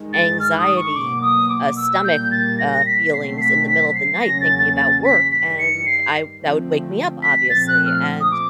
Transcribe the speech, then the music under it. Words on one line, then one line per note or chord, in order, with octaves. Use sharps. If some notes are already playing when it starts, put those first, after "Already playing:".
anxiety, uh, stomach, uh, feelings in the middle of the night thinking about work, and I that would wake me up, obviously, and
Already playing: G2 D#3 G#3
A6
F6
D#6
C#6
B2 F#3 A#3 D6
D#6
D6
E6
A#2 G3 A#3 G6
A6
A#6
B6
B2 F#3 A3 C4 C7
B6
B6
B6
C7
E2 C#3 F#3 A#3 C#4 A#6
A6
A6
A6
B6
G2 D#3 G3 B6
C#7
C7
D3 F3 A3 C4
B6
A#2 F3 A3 C4 A6
F#6
F6
D#6
D6